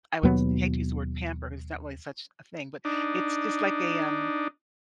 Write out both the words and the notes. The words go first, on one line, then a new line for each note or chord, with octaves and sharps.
I would s hate to use the word "pamper" 'cause it's not really such a thing, but it's just like a, um,
D#2 B2 F#3 B3
D4 D#4